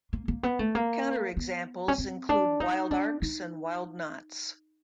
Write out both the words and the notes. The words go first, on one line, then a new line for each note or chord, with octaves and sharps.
Counterexamples include wild arcs and wild knots.
A#3
A#3
B3
A3
A#3
B3
C#4
C4
D4
D#4
D4
D#4